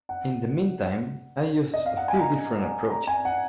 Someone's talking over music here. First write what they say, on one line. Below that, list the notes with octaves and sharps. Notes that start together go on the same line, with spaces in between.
In the meantime, I use a few different approaches.
F#5
D#5
F5
F#5
G#5
A#5
A#5
G#5
F#5